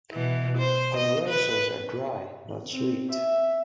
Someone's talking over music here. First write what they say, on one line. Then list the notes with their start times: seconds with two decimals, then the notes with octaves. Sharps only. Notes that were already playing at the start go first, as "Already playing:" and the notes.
Olorosos are dry, not sweet.
0.12 B2 E3
0.58 C5
0.97 D#5
1.29 B4
2.71 C4
3.10 E5